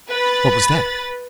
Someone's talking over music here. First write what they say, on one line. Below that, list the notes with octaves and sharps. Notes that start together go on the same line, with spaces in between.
What was that?
B4 B5 A6